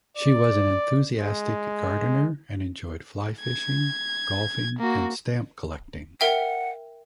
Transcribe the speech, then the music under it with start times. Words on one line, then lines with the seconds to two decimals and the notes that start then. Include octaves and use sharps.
She was an enthusiastic gardener, and enjoyed fly-fishing, golfing, and stamp collecting.
0.17 D5
1.19 G#3
3.41 G#6
4.79 A#3 F#4
6.21 A#4 E5 F#5 G5